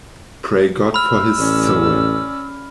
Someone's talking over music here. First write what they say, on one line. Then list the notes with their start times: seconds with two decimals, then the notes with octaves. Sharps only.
"Pray God for his soul.'".
0.94 B5 E6 F6
1.38 A1 C#4 D5